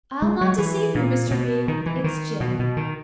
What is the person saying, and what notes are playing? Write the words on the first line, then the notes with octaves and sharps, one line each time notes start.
I'll not deceive you, Mr. B. It's gin.'
G#3
F#3
E3
A#2
B2
D#3
E3
D#3
B2
B2
D#3